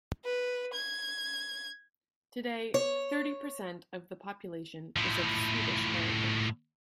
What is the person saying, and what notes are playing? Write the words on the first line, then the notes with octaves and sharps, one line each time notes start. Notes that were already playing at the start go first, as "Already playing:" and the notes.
Today, thirty percent of the population is of Swedish heritage.
B4
G#6
C#5
A2 F3